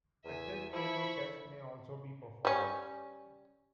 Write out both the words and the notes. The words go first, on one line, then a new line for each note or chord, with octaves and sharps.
A tilt table test may also be performed.
E2 E5 G#5
F3 E4 B5 C#6
G3 C#4